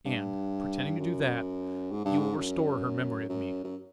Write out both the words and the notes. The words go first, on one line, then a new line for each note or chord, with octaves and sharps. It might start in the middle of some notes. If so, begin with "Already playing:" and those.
"And, pretending to do that, you will restore her memory of me."
G2
F#2
G#2
G2
G#2
F#2
F#2
F#2